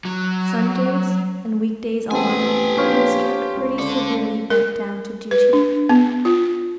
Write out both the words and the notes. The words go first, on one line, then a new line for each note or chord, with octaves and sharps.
Sundays and week days alike he was kept pretty severely bent down to duty.
F#3
A1 B3 C4 G4 A4 G#5
A#1 C5 C#5 F5
C#2
A4 D5
A#4
B4
D4
B3
F4